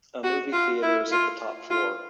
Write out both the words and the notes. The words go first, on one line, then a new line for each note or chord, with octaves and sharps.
A movie theatre is at the top floor.
F#4
F4
E4
F4
F4